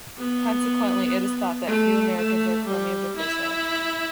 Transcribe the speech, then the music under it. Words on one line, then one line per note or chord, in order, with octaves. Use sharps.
Consequently, it is thought that few Americans are chromium deficient.
B3
A3
A3
G3
E4